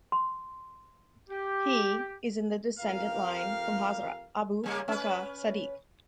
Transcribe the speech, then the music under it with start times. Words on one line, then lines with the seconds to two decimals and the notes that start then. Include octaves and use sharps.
He is in the descendant line from Hazrat Abu Bakar Saddiq.
0.12 C6
1.29 G4
2.79 F2 G4 A#4 F5
4.64 C#3 G3 A#3
4.88 C#4 B4